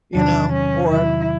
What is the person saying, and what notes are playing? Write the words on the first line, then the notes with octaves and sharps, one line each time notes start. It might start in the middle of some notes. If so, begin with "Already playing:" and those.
you know, or
E2 C3 D#3 F#3 D4
C#4
E2 C3 D#3 F#3 E4